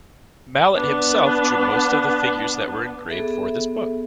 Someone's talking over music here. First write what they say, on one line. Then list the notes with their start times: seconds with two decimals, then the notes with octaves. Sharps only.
Mallet himself drew most of the figures that were engraved for this book.
0.75 B3 D4
3.10 B3 G#4 A4 E5